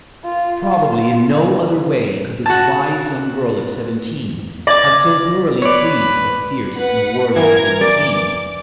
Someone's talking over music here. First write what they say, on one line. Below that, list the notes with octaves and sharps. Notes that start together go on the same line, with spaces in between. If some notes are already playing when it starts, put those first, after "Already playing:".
Probably in no other way could this wise young girl of seventeen have so thoroughly pleased the fierce and warlike young king.
F4
F4
F#4 A5
D5 D6 G#6 A#6
B4 C#5 D5
B4 F#5
E3 A#4 G#6
D5 D6